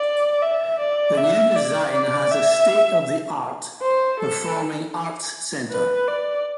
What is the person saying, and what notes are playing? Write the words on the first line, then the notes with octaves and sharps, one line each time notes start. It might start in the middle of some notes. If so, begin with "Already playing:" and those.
The new design has a state-of-the-art performing arts center.
Already playing: D5
E5
D5
E5
D5
D5
E5
C5
A4
B4
D5